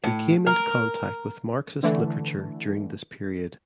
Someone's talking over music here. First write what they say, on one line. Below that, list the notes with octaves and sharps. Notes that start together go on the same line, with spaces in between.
He came into contact with Marxist literature during this period.
A2
A#4
D3 E3 A3